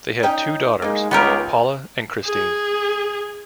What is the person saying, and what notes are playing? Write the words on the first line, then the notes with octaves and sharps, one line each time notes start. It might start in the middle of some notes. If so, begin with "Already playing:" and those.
They had two daughters, Paula and Christine.
C#4 D#4 G5
G#3 A#3 D#4
C#2 B3 G4 A#4
G#4